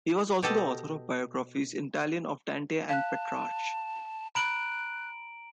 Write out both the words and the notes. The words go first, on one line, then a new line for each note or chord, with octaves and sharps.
He was also the author of biographies in Italian of Dante and Petrarch.
B2 G4 A4 D#5
F5 A5 F#6
A#5 B5 F#6 D7 F#7